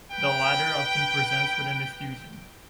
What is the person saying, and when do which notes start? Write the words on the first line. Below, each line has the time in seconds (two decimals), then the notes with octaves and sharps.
The latter often presents with an effusion.
0.11 B4 G5